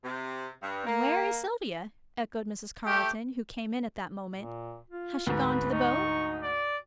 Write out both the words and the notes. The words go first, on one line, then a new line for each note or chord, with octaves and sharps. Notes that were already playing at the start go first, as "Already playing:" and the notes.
"Where is Sylvia?" echoed Mrs. Carleton, who came in at that moment. "Has she gone to the boat?"
C3
G2
A#3
A3 G4 D6 G6
A#2
F4
D2 G#2 B4
D#4 C#6
D5